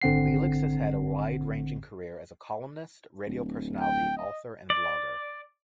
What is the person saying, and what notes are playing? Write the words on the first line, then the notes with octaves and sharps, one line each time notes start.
Lileks has had a wide-ranging career as a columnist, radio personality, author, and blogger.
G#1 D3 C4 F#5 C7
D1
G5
D#5
D5